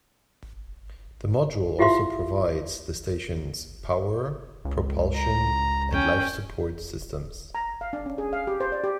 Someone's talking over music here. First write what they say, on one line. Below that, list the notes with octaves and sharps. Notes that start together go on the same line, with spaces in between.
The module also provides the station's power, propulsion, and life support systems.
E4 F4 G4 E5 F5 C6
C#2
A#5
C#4 G5
A#5
F5
D4
C#4
G#4
F5
G4
C5
D5
G4